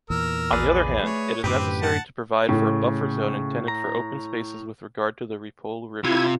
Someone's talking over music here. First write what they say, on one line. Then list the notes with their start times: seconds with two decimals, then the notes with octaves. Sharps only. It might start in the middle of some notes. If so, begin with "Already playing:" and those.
On the other hand, it is necessary to provide for a buffer zone intended for open spaces with regard to the Ripoll River.
0.10 E2 A#2 E3 A#4 E6
0.53 A#1 G#4 B4 D5
1.03 A3 C#5
1.44 F#2 A2 D3 C4 G4 B4 D6
1.82 F#5 A5
2.49 A2 C#3
3.68 A#5
6.05 C3 E4 F4 G#6